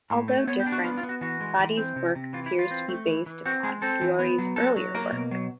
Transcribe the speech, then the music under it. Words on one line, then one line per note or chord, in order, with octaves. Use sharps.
Although different, Vadi's work appears to be based upon Fiore's earlier work.
A2
A3
B3 C#5
G4
D4
F#4
B3 F4
F4
B3
F#4
E3 F#4
G#3
E3
C4
C3
C3
E3 F4
E4
E3
F4
C4
A3
E3
E3
C4 F#4
G#3 G#4
C4 A4
E3
B3
F#3
F#3 A4
F#3
A#3 A#4
B2
F#3